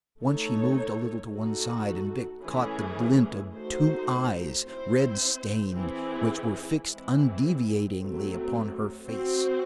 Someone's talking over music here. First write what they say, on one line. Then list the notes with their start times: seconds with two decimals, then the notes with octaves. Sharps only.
Once she moved a little to one side and Vic caught the glint of two eyes, red-stained, which were fixed undeviatingly upon her face.
0.21 A3 D#4 A4 C#5
1.32 A3 D#4 F#4 A4
2.42 E3 A3 C#4 G#4
3.53 A3 D#4 F#4 A4 C5
4.64 C4 E4 C5
5.74 E3 C4 E4 G#4
6.85 E3 G#3 C4 E4
7.96 F#3 A3 C4
9.07 C4 F#4 C5